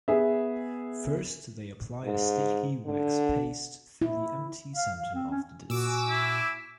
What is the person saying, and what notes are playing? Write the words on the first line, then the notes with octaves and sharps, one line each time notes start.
First they apply a sticky wax paste through the empty centre of the disc.
B3 G#4 B4 E5
G#2
D3
E4
F5
F5
C4
C#4
A#2 F#4 G#5 D6 E6
E4